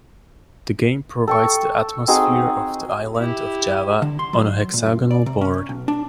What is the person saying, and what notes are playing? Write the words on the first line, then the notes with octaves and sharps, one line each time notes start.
The game provides the atmosphere of the island of Java on a hexagonal board.
A4 G5 C#6
C4 D#4 F#4 G#4
E4 G4
D3
C6
F#3
A#2
F#2
D5
C3
C#4
B1
D4